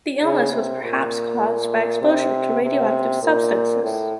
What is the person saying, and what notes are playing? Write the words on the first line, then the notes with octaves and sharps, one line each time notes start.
The illness was perhaps caused by exposure to radioactive substances.
C#3
C3
A#2
C3
C3
A#2
A2